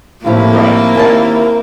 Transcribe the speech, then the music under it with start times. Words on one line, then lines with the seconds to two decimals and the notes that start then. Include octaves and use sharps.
Right, right.
0.25 D#2 A2 F3 A#3 C4 E4
0.95 D#2 A#4 G#5 A5